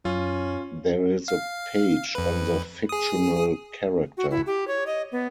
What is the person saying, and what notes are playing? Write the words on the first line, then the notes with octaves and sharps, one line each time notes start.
There is a page on the fictional character.
F#2 C#4 F4
F5
F2 B4
G#4 D#6
F#4
E4
G4
C#5
D#5
B3